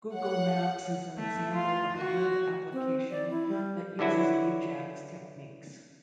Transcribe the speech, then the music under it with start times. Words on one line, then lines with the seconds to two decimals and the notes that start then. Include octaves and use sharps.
Google Maps is an example of a web application that uses Ajax techniques.
0.14 C#5 F#5
1.17 A3
1.53 F4
1.97 F#4
2.73 C4
3.11 D5
3.30 E4
3.48 G3
3.99 D3 E3 F#3 E4 F#4